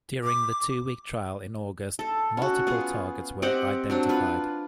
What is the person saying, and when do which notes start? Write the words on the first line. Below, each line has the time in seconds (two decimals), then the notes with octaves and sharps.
During the two-week trial in August, multiple targets were identified.
0.24 D6
1.99 A4
2.37 C#4 F#4
2.67 B3 F4 G#4
3.42 C4 G4 D#5 F#5
3.90 F#3 C4 D4
4.09 F4 B4